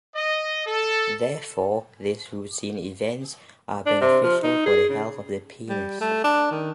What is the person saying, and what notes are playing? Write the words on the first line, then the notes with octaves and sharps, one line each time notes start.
Therefore, these routine events are beneficial for the health of the penis.
D#5
A4
D4
C3
F3
D#4
G#4
C#3
G3
A3
D4
D#3